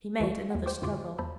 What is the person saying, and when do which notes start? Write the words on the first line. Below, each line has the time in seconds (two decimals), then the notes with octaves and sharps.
He made another struggle.
0.20 D2 E3 F4 F#4
0.50 D#2 F#5
0.66 C5 G5 C#6 D6
0.82 F2 A2 D3 F4 F#4 D6
1.18 E2 C5 A5 B5 E6